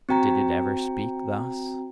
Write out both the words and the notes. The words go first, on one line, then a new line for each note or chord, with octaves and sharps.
But did it ever speak thus?
C4 F#4 G5 A#5